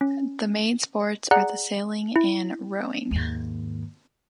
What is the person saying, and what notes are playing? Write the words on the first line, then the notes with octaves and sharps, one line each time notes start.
The main sports are the sailing and rowing.
C#4
G#4 D5 F#5 A#5 F#6
E4
D#2 G#2